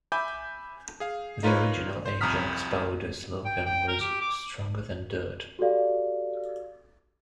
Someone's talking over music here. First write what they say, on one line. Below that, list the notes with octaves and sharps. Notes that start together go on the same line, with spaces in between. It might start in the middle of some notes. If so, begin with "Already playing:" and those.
The original Ajax powder slogan was Stronger than dirt!
E5 G#5 B5 D6 G6
G#4 F5
D#4 F4 A#4 B4 C#5
C5
C2 F2 A#5 D#6 F6 B6
G5
G5
A#4
G4
D6
F#4 G4 A4 D5 F5